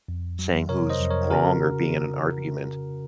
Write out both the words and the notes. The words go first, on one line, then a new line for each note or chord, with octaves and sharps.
saying who's wrong or being in an argument.
F2
F#3
C3 A#4 C#5
C5 D#5
F2
A#4 C#5
C#3 F#4 A#4